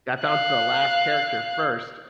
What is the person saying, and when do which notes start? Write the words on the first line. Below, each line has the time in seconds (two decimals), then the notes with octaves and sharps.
got down to the last character first,
0.22 F5 F#6